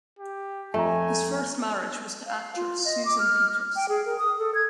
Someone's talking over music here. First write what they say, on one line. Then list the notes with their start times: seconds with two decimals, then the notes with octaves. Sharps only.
His first marriage was to actress Susan Peters.
0.19 G4
0.74 F2 A3 G#5 A#5
2.26 F5
2.56 F4
2.85 D#5
3.05 D6
3.19 F6
3.76 G5
3.89 G#4
4.06 A#4
4.19 D#6
4.38 A4
4.55 G#6